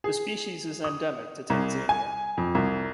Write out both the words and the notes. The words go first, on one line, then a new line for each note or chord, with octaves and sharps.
The species is endemic to Tanzania.
G#4
D#6
C2
G#5
F2
C2